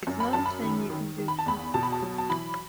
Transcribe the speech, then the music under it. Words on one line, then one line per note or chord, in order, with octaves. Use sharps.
It's not a thing you can do twice.
F#2
B5
F#2 A5
B5
D#3
D#3
D#3
B5
A5
E2 B5
B2 A5
B5
A5
F#3
A5
E3 B5